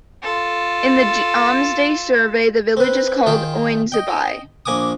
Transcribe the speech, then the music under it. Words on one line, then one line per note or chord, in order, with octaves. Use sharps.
In the "Domesday" survey the village is called "Ounesbi".
F4 A4
C4 B4
D#3 F4 G#4 G5
D#5 G5
A#1 A#3 G#5 D6 D#6